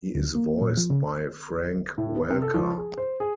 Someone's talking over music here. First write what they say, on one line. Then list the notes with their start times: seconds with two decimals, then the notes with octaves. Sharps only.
He is voiced by Frank Welker.
0.15 D2
0.35 A#3
0.62 A#2
0.77 F3
0.90 C#3
1.98 A2
2.15 B3
2.30 C3
2.42 A4
2.54 F3
2.78 G#4
2.98 C5
3.20 G#4